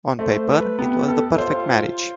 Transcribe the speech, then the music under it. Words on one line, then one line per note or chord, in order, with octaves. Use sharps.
On paper it was the perfect marriage.
A3 C5
B4
B3 G4
A4
F4 C5